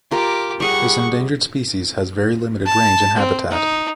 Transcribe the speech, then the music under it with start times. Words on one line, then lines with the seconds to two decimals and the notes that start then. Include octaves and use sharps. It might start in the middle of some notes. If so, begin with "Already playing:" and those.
This endangered species has very limited range and habitat.
0.11 F4 G4 A#4 D6
0.60 G3 G#4 F#5 C#6
2.66 A5
3.17 C4
3.51 D#4